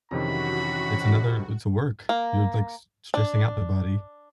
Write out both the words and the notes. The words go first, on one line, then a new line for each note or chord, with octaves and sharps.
it's another it's a work. You're, like, s stressing out their body,
F2 C3 D#3 E3 C#4 F#4 B5
A#3
D4